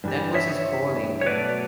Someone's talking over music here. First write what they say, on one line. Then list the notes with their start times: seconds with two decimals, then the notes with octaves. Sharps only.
That was his calling.
0.04 G2 E3 G3
0.34 C#5 E5
1.21 C#5
1.26 B2 F#3 A3 B4 D5